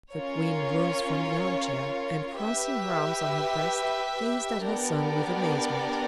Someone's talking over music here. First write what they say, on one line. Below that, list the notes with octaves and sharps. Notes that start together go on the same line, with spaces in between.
The queen rose from the armchair, and crossing her arms on her breast, gazed at her son with amazement.
C#4 F4 A#4 C#5
G4 B4 E5
B3 D4 G4 A#4 D5